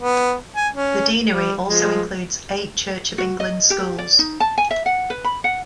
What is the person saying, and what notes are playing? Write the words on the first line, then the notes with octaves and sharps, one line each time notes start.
The deanery also includes eight Church of England schools.
B3
G#5
C#4
G3
F3 G#3
F#4
D#5
G4
D5
D#4
A5
G#5
E5
F#5
B4
B5
F#5